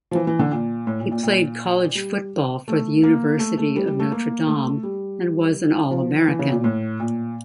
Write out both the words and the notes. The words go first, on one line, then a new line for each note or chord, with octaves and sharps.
He played college football for the University of Notre Dame, and was an All-American.
F3
E3
E3
D3
A#2
A2
A#2
A#2
A#2
G3
A3
A#3
A3
A3
G3
G3
A3
A#3
A3
G3
F3
E3
C#3
A#2
A2
A#2